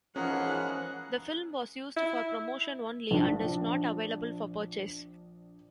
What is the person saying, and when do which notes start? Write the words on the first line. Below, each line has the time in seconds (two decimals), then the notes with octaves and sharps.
The film was used for promotion only and is not available for purchase.
0.16 B1 G#2 E3 F3 C#4 G#4 A#4 F#5
1.97 E4
3.11 A#1 D4